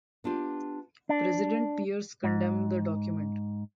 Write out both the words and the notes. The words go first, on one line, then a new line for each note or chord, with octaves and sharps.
President Pierce condemned the document.
B3 D4 F4 G4
D4
G#2